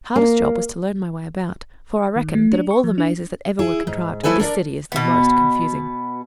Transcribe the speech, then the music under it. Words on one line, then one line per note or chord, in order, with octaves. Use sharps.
The hardest job was to learn my way about, for I reckon that of all the mazes that ever were contrived, this city is the most confusing.
A#3
D#3
A3
D4
C#6
F3
D4
E4 G#4
G#2
F3 A3 E4 A4 B4 G#5
D4 A#4 D5
B2 B3